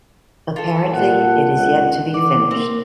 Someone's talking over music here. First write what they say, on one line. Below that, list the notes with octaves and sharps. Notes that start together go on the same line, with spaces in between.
Apparently it is yet to be finished.
F4 A4
A#2 F#5
C#2
E3 D5
A#3 C4